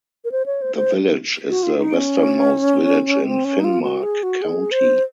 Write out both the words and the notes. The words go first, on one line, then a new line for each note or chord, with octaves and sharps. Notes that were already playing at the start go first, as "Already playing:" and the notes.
The village is the westernmost village in Finnmark county.
A#4
C5
C#5
C5
C5
F#4
F4
D#4
C#4
C4
C#4
D#4
F4
F#4
G#4
F#4
G#4
C5